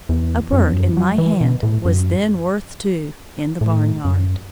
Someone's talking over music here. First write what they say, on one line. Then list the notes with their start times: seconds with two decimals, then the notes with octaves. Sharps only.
A bird in my hand was then worth two in the--barnyard.
0.09 E2
0.53 F#2
0.63 E2
0.72 F#2
0.97 F#3
1.18 E3
1.41 B2
1.63 A2
1.85 F#2
3.61 A2
4.05 F#2